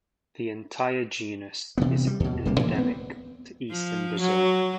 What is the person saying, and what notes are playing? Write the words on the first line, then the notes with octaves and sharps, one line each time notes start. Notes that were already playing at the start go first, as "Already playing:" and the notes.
The entire genus is endemic to eastern Brazil.
C3 E3 B3
G3
D#2 B2
D1 C3 G3 A#3
A2 E3 A#3
B3 C4
F3
F#3